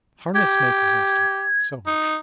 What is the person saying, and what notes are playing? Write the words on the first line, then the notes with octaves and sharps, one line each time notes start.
Harness-maker's estimate, so much.
G4 G#6
D#4